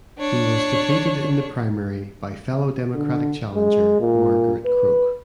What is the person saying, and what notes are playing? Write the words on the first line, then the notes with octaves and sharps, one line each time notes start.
He was defeated in the primary by fellow Democratic challenger Margaret Croke.
D4 C#5
D3
G#3
A#2
B4